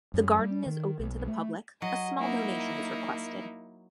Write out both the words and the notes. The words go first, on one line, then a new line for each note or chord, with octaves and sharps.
The garden is open to the public, a small donation is requested.
F#2
G3
D#3
B1
A3
F#3 D#5
A#3 D#4 E4